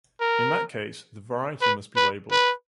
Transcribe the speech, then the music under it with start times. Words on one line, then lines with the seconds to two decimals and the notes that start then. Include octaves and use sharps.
In that case, the variety must be labelled.
0.21 A#4
1.61 B4
1.97 B4
2.32 B4